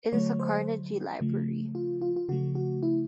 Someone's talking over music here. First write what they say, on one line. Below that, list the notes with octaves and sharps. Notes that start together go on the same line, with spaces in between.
It is a Carnegie Library.
D3 F#3 A3 C#5
C5
C#3 F3 A3
F4
F4
F4
C#3 F3 A3 F#4
F#4
E4